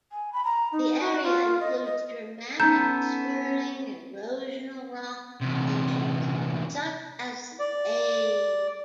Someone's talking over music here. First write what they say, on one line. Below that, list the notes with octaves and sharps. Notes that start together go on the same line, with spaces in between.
The area includes dramatic swirling erosional rock formations such as The Wave.
G#5
B5
A#5
D#4
F#4
F4
D#5
D#5
B3 C#4 D#4 A4 A#5 G6
E2 C3
D5